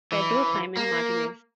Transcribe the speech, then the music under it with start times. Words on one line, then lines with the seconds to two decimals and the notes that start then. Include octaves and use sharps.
Pedro Simon Martinez.
0.12 E3
0.77 A#3